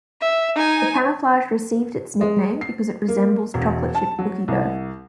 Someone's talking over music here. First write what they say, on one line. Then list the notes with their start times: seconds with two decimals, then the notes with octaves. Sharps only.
The camouflage received its nickname because it resembles chocolate-chip cookie dough.
0.21 E5
0.55 D#4 G#5
2.21 G#3
2.61 C7
3.08 A#3
3.54 E1
3.95 A5
4.19 F#3
4.48 C2